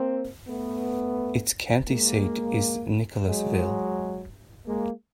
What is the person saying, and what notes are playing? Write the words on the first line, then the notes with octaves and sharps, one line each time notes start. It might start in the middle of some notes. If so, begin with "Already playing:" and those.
Its county seat is Nicholasville.
Already playing: A#3 C4
A3 B3
G#3 A#3
F#3 G#3
G#3 A#3